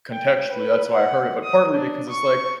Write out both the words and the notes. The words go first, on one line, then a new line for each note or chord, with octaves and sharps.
contextually, that's why I heard it, but partly because it's, like,
G5
B4
F#5
D#6
D4
C#6